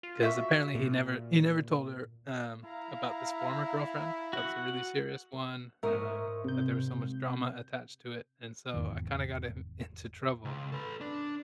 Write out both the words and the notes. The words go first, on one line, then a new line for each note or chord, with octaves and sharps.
'Cause apparently, he never he never told her, um, about this former girlfriend, that was a really serious one, um, that there was so much drama attached to it, and so, I kinda got him into trouble,
F4
F#4 E5
A#2
E4 F5 A#5
F#4 F#5
G#2 A#4 E5 C#6 D#6
C3 G6
F1 E2 G#2 D#3
C#2
A4 B4
D4